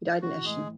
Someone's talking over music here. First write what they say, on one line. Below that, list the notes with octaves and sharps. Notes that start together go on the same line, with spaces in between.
He died in Eschen.
E3 F#4
A2 G#3 G#4